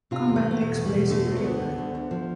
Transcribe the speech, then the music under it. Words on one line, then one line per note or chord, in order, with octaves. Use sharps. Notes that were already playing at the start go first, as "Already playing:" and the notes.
Combat takes place in real-time.
C3 F4
E2
A3
E2
B3
B2 A3
E2
G3
B2
D3 A3
D2
B3
D2
D3
D2
D2
F3